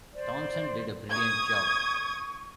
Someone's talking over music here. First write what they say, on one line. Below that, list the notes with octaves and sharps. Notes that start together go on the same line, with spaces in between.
Thomson did a brilliant job.
C5 D5
C#6 D#6 G#6